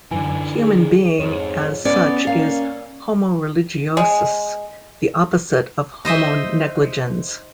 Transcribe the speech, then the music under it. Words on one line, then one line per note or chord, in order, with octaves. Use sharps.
Human being as such is "homo religiosus", the opposite of "homo negligens".
F#2 D3 E3 G#5
G#4
F2 G#2 C#5
B3 C#4 D5 A6
A#3 F5
G#3
D#4 C5 D#5 E5